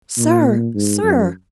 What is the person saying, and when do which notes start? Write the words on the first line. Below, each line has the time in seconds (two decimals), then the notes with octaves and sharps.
"Sir! sir!"
0.18 A#2
0.74 G#2
1.03 F#2